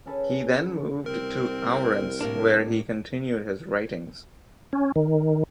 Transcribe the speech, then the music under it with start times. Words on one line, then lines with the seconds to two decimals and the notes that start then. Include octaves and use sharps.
He then moved to Ourense where he continued his writings.
0.06 C#4 G#4 A4 B4
1.06 C2 C4 A#4
2.21 A2 A#3 D4
4.73 C#4
4.96 D#3